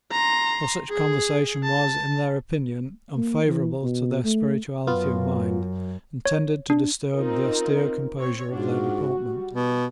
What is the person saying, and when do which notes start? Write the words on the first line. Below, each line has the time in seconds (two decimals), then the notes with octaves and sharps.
For such conversation was, in their opinion, unfavourable to their spirituality of mind, and tended to disturb the austere composure of their deportment.
0.12 A#5 C6
0.90 G#4
1.64 A5
3.17 A#3
3.47 E3
3.83 B2
4.24 A3
4.87 F#2 B3 F4
6.26 C#5
6.70 D4
7.14 C4 D#4 F4 A#4
8.16 C4 C#5
8.52 G#2 D4 F4 F#4
9.07 G3
9.53 B2